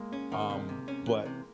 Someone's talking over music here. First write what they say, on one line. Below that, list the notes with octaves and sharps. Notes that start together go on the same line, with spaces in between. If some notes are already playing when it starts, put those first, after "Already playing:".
Um, but
Already playing: G#3 A#3
G#3 C#4
D#3
C3
C3
C#4
E3
C3